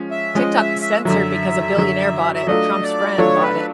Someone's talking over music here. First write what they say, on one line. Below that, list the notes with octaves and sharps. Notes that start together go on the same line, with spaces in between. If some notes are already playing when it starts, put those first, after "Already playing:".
TikTok is censored because a billionaire bought it. Trump's friend bought it,
Already playing: F3 G#3 C#4
E5
F3 G#3 C#4 D#5
E5
E5
F#2 D3 F#3 E5
F#2 D3 F#3
E5
F#3 A3 D4 F4 A4 D#5
D5
F#3 A3 D4 F4 A4 C#5
B4